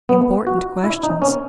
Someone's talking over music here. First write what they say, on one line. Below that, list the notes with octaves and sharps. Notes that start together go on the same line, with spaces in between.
Important questions!
B3
F#4
E4
D#4
C#4